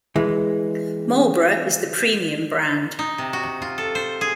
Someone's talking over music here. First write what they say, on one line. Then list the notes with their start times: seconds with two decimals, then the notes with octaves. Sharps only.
Marlboro is the premium brand.
0.16 E3 G#3
2.99 D#4
3.18 C3
3.33 F#4
3.62 F4
3.78 A4
3.95 C5
4.21 G#4